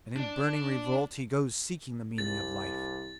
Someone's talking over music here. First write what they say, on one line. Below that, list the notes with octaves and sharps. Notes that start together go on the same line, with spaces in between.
And in burning revolt he goes seeking the meaning of life.
D4 D5
C2 A6